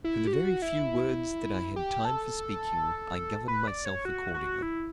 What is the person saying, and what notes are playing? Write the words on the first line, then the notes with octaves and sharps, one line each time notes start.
For the very few words that I had time for speaking, I governed myself accordingly.
E4
G4
F#4
E4
G4
A4
B4
D5
C#5
F#4
F#4
E4